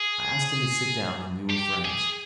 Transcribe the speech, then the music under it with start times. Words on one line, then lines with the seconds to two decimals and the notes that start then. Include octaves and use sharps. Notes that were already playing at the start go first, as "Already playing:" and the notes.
I asked him to sit down and we were friends.
Already playing: G#4
1.50 G4
1.85 G#4